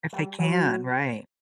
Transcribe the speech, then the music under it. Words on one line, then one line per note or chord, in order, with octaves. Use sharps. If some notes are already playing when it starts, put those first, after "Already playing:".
If they can, right.
G3
F#3